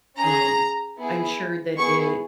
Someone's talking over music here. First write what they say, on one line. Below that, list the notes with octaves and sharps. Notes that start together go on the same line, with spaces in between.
um, I'm sure that it
C#4 G#4 A#5
B3 E4 G#4
B3 E4 G#4 C#6